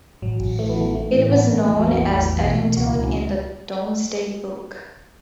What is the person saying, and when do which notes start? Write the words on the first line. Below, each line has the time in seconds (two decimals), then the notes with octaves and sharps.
It was known as Eddintune in the Domesday Book.
0.22 A1 F#3
0.40 A1
0.59 E3 A3
0.69 B3
0.77 E3 A3
0.95 E3 A3
1.13 A2
1.31 A1 B3
1.49 A1
1.67 E2 A3
1.80 F#3
1.85 E3 B3
1.92 A3
2.03 E2
2.22 E3
2.40 B2
2.58 B2
2.76 C#2 F#4
2.86 E4
2.95 C#2
3.04 C#4